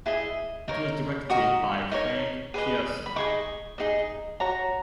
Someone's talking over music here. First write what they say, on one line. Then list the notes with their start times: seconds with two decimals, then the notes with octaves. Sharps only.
It was directed by Frank Pierson.
0.06 E4 G#4 D#5
0.68 D#4 A#4 C#5
1.29 F#4 A#4 D#5 D#6
1.91 D#4 A#4 C#5
2.54 G#4 B4 D#5
3.06 B5
3.16 D#4 G#4 D#5 C#6
3.78 D#4 G#4 D#5
4.40 F#4 C#5 A#5